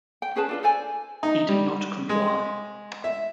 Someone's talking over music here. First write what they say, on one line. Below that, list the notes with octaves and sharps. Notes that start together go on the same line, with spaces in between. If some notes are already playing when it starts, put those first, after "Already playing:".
He did not comply.
G5
C#4 G#4 B4 A5
D4 F4 B4
A4 C5 D5 G#5
D#4
G3
G#3
E5